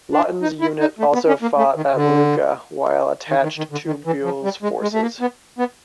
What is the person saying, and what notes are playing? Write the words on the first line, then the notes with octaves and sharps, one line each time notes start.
Lawton's unit also fought at Iuka while attached to Buell's forces.
D4
D#4
E4
D#4
A3
B3
C#4
A#3
A3
D#3
D3
D#3
D#3
D#3
D3
D#3
E3
F3
G3
G#3
G#3
A3
A#3
B3
B3